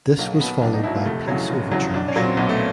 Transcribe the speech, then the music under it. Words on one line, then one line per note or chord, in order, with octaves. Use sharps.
This was followed by peace overtures.
B1 A#3
B2 F#3 B3
B1 D4
D#4
B2 F#3 E4
A#3
F1 A3
E2 C#3 F#3 C#4
F1
E2 C#3 F#3
B1 D4
C#4
A#2 F#3
C4
B1 B3
A3